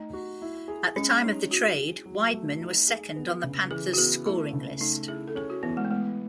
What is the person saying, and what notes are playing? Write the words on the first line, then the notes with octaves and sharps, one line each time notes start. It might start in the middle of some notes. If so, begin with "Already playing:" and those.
At the time of the trade, Wideman was second on the Panthers' scoring list.
Already playing: A3 D#4
F#4
E4
G#4
G#3 C#4
C#4 D#4
E4 F#4
G#4
F#3
A3
D#4
G#4
B3
C#3
E3 G#4
F#4
B3 G#4
A3 E4
C#3
A3 D#4
E4 G#4
A4
C#4 G#4
F#4
E3 B3
G#3
A3
G#3 B3